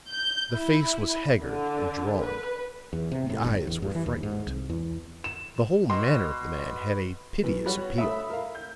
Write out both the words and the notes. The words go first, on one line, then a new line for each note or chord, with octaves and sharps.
The face was haggard and drawn; the eyes were frightened; the whole manner of the man had a piteous appeal.
G6
E4
D3
B4
E2
C3
A2
G1
E2
G2
E3
D#2
G#2
C2
E2
E7
B2 C6
F#2 E3 B3
G3 F#4 C#5 B5 F#6
A3 E5 B5 D#6
A#4 F5
G6